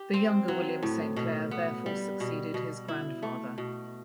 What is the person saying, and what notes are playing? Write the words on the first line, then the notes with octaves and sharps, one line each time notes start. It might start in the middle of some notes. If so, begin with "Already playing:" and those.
The younger William St Clair therefore succeeded his grandfather.
Already playing: G4
C4
F#3
A2
B2
B3
G3
B2
B2
E4
A3
B2